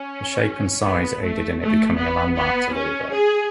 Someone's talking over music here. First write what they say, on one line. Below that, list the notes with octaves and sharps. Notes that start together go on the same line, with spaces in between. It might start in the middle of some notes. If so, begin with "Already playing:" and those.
The shape and size aided in it becoming a landmark to Louisburg.
Already playing: C#4
B3
A3
A3
B3
B3
C#4
G#4